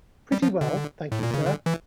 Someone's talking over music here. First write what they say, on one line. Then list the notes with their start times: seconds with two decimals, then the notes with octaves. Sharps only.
Pretty well, thank you, sir.
0.32 G3
0.42 F3
0.61 D3
1.12 A2
1.23 A#2
1.34 C#3
1.46 D3
1.66 E3